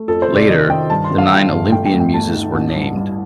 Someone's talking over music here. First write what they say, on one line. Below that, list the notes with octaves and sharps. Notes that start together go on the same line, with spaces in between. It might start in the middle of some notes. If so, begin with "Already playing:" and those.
Later, the Nine Olympian Muses were named.
Already playing: A3
F2 A4
C5
C3
D5
D#3 D#5
D#3 G5
G2 A5
C6
G1
F5
G2 G5
G1
A3 G5
G5
D2
G5
A3 A5
D#4
A1
G2
G2